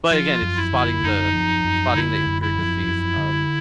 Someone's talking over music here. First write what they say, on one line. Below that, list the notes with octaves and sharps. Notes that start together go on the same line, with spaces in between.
But again, it's spotting the spotting the intricacies of
F3 F4
F#2
E4
D3
F#2 D#4
F3
F#2
D3 E4
F#2
E4
F3
F#2
D3